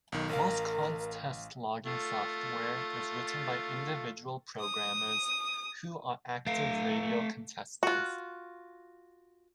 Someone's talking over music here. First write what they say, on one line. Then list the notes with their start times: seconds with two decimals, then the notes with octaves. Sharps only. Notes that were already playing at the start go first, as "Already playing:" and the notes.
Most contest logging software is written by individual programmers who are active radio contesters.
0.12 B1 D#3
0.29 A1 A#4 F5
1.86 A3 F4
4.60 D#6
6.47 A3 F5
7.83 F4 F#4